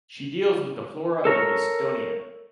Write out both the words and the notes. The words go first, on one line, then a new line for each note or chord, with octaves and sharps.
She deals with the flora of Estonia.
A4 A#4 C#5